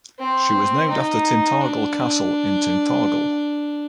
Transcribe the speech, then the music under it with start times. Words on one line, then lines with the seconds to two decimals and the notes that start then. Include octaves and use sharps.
She was named after Tintagel Castle in Tintagel.
0.19 C4
0.90 D#4
1.61 D4